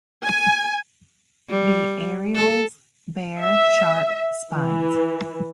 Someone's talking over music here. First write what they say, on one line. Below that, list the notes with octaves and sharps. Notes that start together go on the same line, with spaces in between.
The areoles bear sharp spines.
G#5
G3
A4
E5
E3